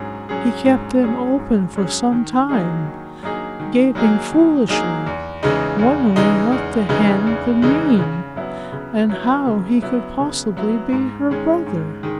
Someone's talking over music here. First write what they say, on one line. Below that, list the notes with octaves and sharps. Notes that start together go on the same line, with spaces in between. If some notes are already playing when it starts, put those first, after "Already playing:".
He kept them open for some time, gaping foolishly, wondering what the Hen could mean, and how he could possibly be her brother.
Already playing: G#2 F#3 C#4 G#4
F#3 C#4 G#4
G#2
F#3 C#4 G#4
G#2
F#3 C#4 G#4
D#3
F#3 A#3 D#4 G#4
D#3
F#3 A#3 D#4 G#4
D#3
F#3 A#3 D#4 G#4
D#3
F#3 A#3 D#4 G#4
E2
C#3 E3 G#3 D#4
E2
C#3 E3 G#3 D#4
E2
C#3 E3 G#3 D#4
E2
C#3 E3 G#3 D#4
C#3
F#3 B3 E4
C#3
F#3 B3 E4
C#3
F#3 B3 E4
C#3
F#3 B3 E4
G#2
D#3 G#3 C#4
G#2
D#3 G#3